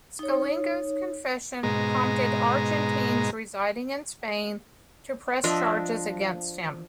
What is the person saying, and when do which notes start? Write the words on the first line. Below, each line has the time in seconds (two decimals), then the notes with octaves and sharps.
Scilingo's confession prompted Argentines residing in Spain to press charges against him.
0.19 D#4 C#5
1.63 G#2 B2 G#3 A#5
5.44 F3 D4 D#5 E5